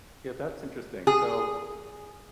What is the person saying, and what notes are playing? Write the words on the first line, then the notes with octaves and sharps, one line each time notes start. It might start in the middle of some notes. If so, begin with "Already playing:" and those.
Yeah, that's interesting. So
G#4